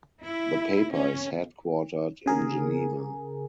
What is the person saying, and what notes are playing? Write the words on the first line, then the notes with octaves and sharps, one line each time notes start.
The paper is headquartered in Geneva.
E4
C#4
C#3 G#4 A#4